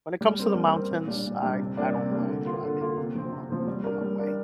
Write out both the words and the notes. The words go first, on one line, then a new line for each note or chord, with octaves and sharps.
when it comes to the mountains, I I don't mind driving a long a long way.
G3
C4 A#4
G3
C4 A#4
A#2
G3 D4
A#2
G3 D4
C3
G3 A#3 D4
C3
G3 A#3 D4
D3
A#3 F4
D3
A#3 F4
C3
F3 C4
C3
F3 C4
G3
D4 A#4
G3
D4 A#4